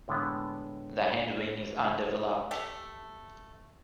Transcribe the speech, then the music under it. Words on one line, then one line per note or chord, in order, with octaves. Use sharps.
The hindwing is undeveloped.
A2 D3 G#3 B3
A3 G4 A4